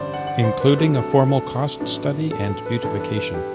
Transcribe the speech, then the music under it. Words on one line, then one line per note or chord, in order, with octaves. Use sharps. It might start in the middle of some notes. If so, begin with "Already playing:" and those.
Including a formal cost study and beautification.
Already playing: A1 G2 D3 C5 D5
F#5
F#5
C5
B4
C2 C3 F#3 A3 D4 A4
A4
A4
A4
A1 A2 F#3 B3 D4
A4
A4
B4
G2 E3 B3 D4 A4
B4
B4
G4